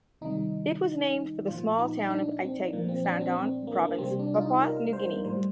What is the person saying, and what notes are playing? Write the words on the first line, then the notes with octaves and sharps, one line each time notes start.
It was named for the small town of Aitape, Sandaun Province, Papua New Guinea.
C3 D#3 G3 D#4
A#2 F3 F4
D#4
D#4
D4
C4
A#2 F3 A#3
C4
D4
C4
C4
A#3
A#3
C3 G3 C4
D4
F4
D#4
A#4
C5
A2 G3 C5